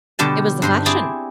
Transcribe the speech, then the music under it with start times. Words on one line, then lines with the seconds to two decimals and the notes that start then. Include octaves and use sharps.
It was the fashion.
0.19 B2 D3 G3 G4 A5
0.62 G2 C5 C6
0.86 C4 E4 G4 G#4 D5